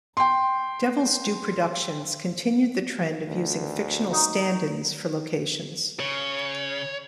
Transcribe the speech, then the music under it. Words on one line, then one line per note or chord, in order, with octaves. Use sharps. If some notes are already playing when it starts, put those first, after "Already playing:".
Devil's Due Productions continued the trend of using fictional stand-ins for locations.
G5 C6
D2
F#3 D#4
C#3 C#5